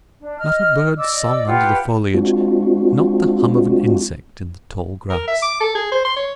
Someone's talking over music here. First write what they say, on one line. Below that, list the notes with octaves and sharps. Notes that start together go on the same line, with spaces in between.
Not a bird's song under the foliage, not the hum of an insect in the tall grass.
D4
D#5 F6
D5 D#5 D6 E6
F4 G4 B4 F#5
G#3 C4 D4 F4 F#4
A#4
E5
D6
A4
G#4
C5
C6
C#5